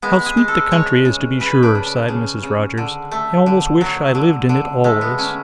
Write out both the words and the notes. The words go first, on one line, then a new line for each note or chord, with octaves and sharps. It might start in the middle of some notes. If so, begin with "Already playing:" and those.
'How sweet the country is, to be sure!' sighed Mrs. Rogers; 'I almost wish I lived in it always.'
G#3 B3
G#4
G#3
A4
G#3 C#5
C#3
C#3 B4
D4
C#3
D4
C#3
C#3
D3
A3
D3
F#3
D3
D3
G#3 A3
B3
D3 C#4